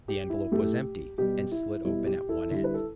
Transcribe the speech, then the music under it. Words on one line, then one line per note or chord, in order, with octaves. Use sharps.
The envelope was empty, and slit open at one end.
G4
E4
A2 A3 G4
B2 G3 G4
E4
B2 G3 E4
G4
E4 A4
D3 G3 E4
B4
A4